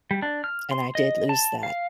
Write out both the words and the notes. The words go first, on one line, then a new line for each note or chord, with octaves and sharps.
and I did lose that
G3
D4
F6
C6
D#5
A5
F5